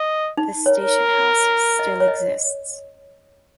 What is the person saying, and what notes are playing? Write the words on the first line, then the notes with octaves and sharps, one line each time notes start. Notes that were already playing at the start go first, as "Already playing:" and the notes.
The station house still exists.
Already playing: D#5
D#4
A#4 C#5
D#5
C#5
D#5